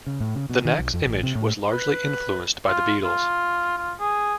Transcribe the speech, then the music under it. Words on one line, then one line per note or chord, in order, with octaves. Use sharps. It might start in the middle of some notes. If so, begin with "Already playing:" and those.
The Knack's image was largely influenced by the Beatles.
C#3
A2
C#3
B2
D#3
B1
F2
A1
C3
A2
B4
F4
F4
F4
G#4